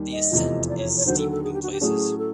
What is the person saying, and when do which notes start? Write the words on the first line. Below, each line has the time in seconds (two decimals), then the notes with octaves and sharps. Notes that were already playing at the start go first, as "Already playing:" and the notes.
The ascent is steep in places.
Already playing: D#2 D#3 G3
0.12 D#5
0.31 F1 E2 C3 F3
0.68 D5
0.78 C#5
0.97 C#5
1.06 D#2 D3 F#3 C5
1.18 A4
1.31 A4
1.43 G#4
1.53 G4
1.62 F#4
1.72 G4
1.81 A2 F#3 A3 C#4 G#4
2.19 A4